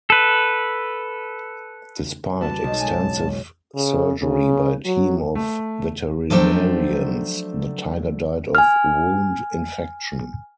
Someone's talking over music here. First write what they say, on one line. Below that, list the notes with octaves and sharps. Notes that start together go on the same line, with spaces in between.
Despite extensive surgery by a team of veterinarians, the tiger died of wound infection.
A4 B4
G3 F#4 B4 A5
B1
C#2 G#3 G#5
C#3
C#3
F#3
A3
F3 F#3 A3 D4 C5 G5
G#5 F6